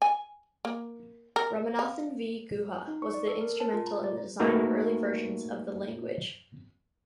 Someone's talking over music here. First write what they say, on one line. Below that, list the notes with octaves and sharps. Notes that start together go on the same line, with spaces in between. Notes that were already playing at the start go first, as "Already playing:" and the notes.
Ramanathan V. Guha was instrumental in the design of early versions of the language.
G#5
A#3
A#4
F5
D#4
C#6
D5
A4
A#4
A5
F4
A#5
D5
A3 A#3 D#4 F#4 A#4 B4